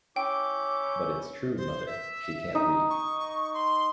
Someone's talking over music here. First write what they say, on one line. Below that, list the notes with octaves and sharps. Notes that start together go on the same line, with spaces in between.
But it’s true, mother — she can’t read.
C#4 E4 G5 D6 G6
C5
E5
D#4
C#6
C6